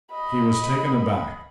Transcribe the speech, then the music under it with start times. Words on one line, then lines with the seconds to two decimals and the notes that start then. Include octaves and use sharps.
He was taken aback.
0.12 D#5 B5